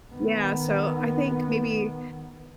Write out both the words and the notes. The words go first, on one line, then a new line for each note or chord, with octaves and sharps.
yeah, so I think maybe
D#3 B3